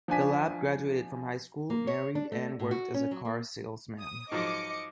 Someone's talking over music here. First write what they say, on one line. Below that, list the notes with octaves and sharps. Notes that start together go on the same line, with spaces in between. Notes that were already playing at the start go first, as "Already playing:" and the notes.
Galab graduated from high school, married and worked as a car salesman.
F3 D4 G#5 B6
A#3
C#5
D4
A3
A2
F#4
C#4
F#3
A#3
D#6
G#2 F3 F#3 D#5 D6 C#7